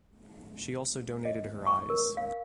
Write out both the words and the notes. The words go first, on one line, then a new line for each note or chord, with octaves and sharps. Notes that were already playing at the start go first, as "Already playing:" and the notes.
She also donated her eyes.
D#5
C#6
A#4
F5